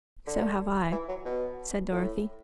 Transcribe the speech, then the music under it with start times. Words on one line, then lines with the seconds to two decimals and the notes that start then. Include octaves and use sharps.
"So have I," said Dorothy.
0.27 D3
0.92 E3
1.09 F#3
1.25 B2
1.92 A2